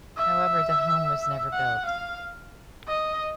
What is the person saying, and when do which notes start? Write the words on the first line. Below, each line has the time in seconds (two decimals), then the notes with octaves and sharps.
However, the home was never built.
0.17 E5
1.52 F#5
1.86 F5
2.87 D#5